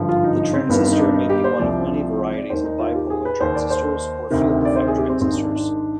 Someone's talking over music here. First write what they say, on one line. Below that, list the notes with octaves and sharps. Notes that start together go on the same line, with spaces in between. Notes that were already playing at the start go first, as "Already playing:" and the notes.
The transistor may be one of many varieties of bipolar transistors or field-effect transistors.
Already playing: G#1 G2 D3 F3
F4
D#4
D#4
C4
G1 G2 D#3 B3
C4
D#4
D4
D#4
G4
C5
C2 C3 F3 D5
D5
D#2 D#3 C5
D#4
F4
G4
G#4
B4
D#2 D#3 C5
D5
C5
D2 C3 D#3
D5
C5
G#4
G4
C4
G#1 G#2 D#3 C4
D4
D4
D4